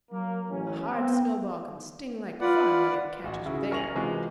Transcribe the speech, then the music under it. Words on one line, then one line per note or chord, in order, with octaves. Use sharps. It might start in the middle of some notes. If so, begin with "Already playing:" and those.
"A hard snowball can sting like fun when it catches you there."
F#3 A#3
A1 C#4
B3 C4
F4 B4 D5 F#5
A1 F#4 F#5
C#3 E4 F#4 G#4
A#4 G#5 C#6 A#6 F7 F#7
C3 E3 G#3 F4 F#4 A#4